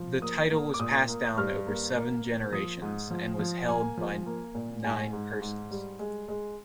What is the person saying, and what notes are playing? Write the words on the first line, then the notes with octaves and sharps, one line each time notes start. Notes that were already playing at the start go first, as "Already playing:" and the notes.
The title was passed down over seven generations and was held by nine persons.
Already playing: F3
A#3 D#6
A#3
D6
A#2 D#6
A#3
G2 F6
A#3
A#3
A#3
F3 D#6
G#2
F3
F3
A#3 G#5
F3
A#3
A#2
G#2 G#5
G#2
G#2
G3
G#3
G#3